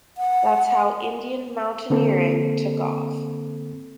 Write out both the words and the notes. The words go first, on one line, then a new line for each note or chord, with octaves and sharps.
That’s how Indian mountaineering took off.
F#5
D3 A#3 C4 A4